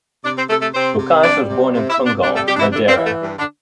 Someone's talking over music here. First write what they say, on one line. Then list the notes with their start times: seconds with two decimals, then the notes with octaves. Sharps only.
Bocage was born in Funchal, Madeira.
0.24 C3 D4 D5
0.38 C4 C5
0.49 C3 A3 A4
0.62 A3 A4
0.74 C3 C4 C5
0.99 C3
1.24 G3 D4 D5
1.49 C3
1.74 C3
1.90 E4 E5
1.98 C3
2.07 D4 D5
2.23 G3 D4 D5
2.35 A3 A4
2.48 C3 G3 G4
2.56 D4
2.60 E3 E4
2.72 D3 E3 D4
2.89 C4
2.97 E3
3.05 A3
3.23 G2
3.38 D3 D4